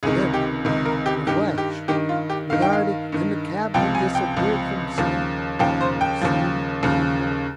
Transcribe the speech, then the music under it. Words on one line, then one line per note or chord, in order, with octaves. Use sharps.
Then in a flash the guarde and the cabman disappeared from sight and were seen no more.
C#2 C3 D#3 G#4
G4
C#2 C3 D#3
A#4
G4
G2 D#3 G4
G4
G2 D#3 G4
F4
G4
G2 D#3 F5
G5
F5
G2 D#3
C#2 C3 F3 G5
G#5
G5
C#2 C3 F3
D#2 C#3 F3
D#2 C#3 F3 G5
C5
G5
D#2 C#3 F3
D#2 C#3 F3